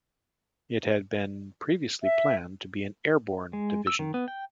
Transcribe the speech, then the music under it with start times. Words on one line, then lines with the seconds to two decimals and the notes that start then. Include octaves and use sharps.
It had been previously planned to be an airborne division.
2.03 E5
3.53 G#3
3.87 E6
3.99 D#3
4.14 B3
4.28 G5